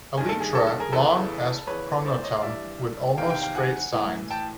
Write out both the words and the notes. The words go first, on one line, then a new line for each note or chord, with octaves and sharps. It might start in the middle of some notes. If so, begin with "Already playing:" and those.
Elytra long as pronotum and with almost straight sides.
G2 D#3 G#4
A4
G#4
A4
A4
G#4 A#4
E2 C#3 E3 A4 B4
E2 C#3 E3 B4 C#5
C5 D5
C#5 D#5
F5
G2 E3 D5 E5
E2 C3 D#3 F5 G5
F5 G5
F5 G5
F#5 G#5
A2 E3
G5 A5